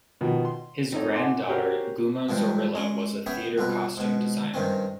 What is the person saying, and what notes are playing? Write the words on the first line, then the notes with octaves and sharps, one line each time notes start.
His granddaughter Guma Zorrilla was a theater costume designer.
B2 D#3 F3 B3
C6
C4 D#4 A4 C#5 D#5
F#5 G#5 C6 D6
C#4 F#4 G4 A#4 C5
G#2 E3 F3 G3 C4 F4
G#3 C#4
B3 C#4 G#4 E5 G5
C2 B2 F4 B4 A#5
G#2 B2
G2 C3 D#3 C4 C#4